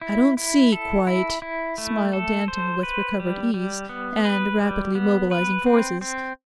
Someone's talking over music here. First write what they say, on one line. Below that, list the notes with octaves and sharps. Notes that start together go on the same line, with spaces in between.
'I don't see quite...' smiled Danton with recovered ease, and rapidly mobilising forces.
E4
E4
A4
E4
E4
A3
A4
C5
B4
G3
G3
B3
B4
G3
B3
B4
C4
C4